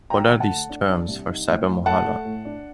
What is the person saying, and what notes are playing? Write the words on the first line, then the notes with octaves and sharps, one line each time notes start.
What are these 'terms' for Cybermohalla?
F#3 G5 A#5
D3
F#5 A5
A3
D4
D4
C2
D#4
A2
A2
A3 F#5 A5
A3
A2
D4